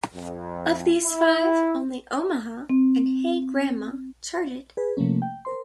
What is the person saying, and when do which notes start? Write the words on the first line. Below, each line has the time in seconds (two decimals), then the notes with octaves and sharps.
Of these five, only "Omaha" and "Hey Grandma" charted.
0.14 F2
1.03 E4
2.70 C4
4.77 G#4 B4
4.97 C3 F3 A3 A#3 C#4
5.22 G5
5.45 A#4 C5 C6